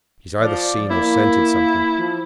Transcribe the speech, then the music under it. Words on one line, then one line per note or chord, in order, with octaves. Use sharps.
He's either seen or scented something.
F3 D5
A#3 E4
F3